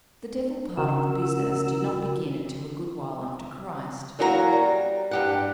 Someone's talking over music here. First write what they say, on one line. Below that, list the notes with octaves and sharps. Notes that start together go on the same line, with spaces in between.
The devil part of the business did not begin until a good while after Christ.
C#3 F#4 A#4 E6
E2 F#3 A#3 F#4 C#5 A#5
G3
G2 G4 F#5